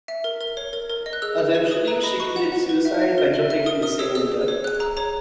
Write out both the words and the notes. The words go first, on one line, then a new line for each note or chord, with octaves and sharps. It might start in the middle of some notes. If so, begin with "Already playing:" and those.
Eventually, she committed suicide by jumping from the same window.
E5
A#4
A#4
C#5
A#4
A#4
D#5
F#6
G#4 E6
G#4
B4
B4 D#6
B4 A#5
D#5 B5
B4 C#6
F#5
F#5
B4
E5
E5
A#4
E5
E5
A#4 D#6
A#4 D#6
C#5 E6
G#4 E6
G#4
C#5
G#4 F#6
G#4 A#5
C#5 A#5